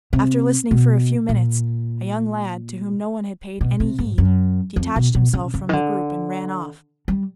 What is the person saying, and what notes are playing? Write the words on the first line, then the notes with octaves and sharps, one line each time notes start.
After listening for a few minutes, a young lad, to whom no one had paid any heed, detached himself from the group and ran off.
C3
B2
A#2
B2
C3
G#2
F#2
F2
B2
B2
C#3
C#3
D#3
D3
G3